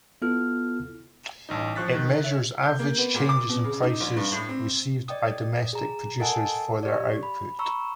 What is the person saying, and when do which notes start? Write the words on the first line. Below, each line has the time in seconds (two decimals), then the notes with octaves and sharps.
It measures average changes in prices received by domestic producers for their output.
0.22 B3 E4 F4 A4 F6
1.49 A1 G2 D#4
1.76 F3 C5 C#6 F#6 A6 B6
1.95 D#3
2.24 C#5 E5
2.63 G6
2.79 A#3
2.98 B3
3.14 A#2
3.29 D6
3.49 B2
3.64 C#3
3.83 D#4
4.00 A#1
4.16 G2
4.32 A2
4.49 C4
5.08 D5 D#5 G5 D#6
5.73 G#4 A#5
6.20 A4 A#4 D#5 F#5 G#5 A5
6.83 G4 D5
7.23 B5
7.59 A#5 B5 C#6 E6